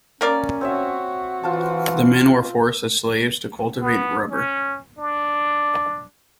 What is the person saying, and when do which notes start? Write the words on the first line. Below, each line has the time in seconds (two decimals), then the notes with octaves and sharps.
The men were forced as slaves to cultivate rubber.
0.21 A#3 C#4 A#4 D5
0.61 C4 F#4 C#5 E5
1.43 E3 F4 C5 A5
3.81 B3
4.31 C#4
4.98 D4